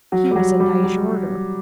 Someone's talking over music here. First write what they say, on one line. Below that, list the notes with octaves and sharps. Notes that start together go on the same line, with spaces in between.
He was a Nyjorder.
F#3
G3
F#3
G3
F#3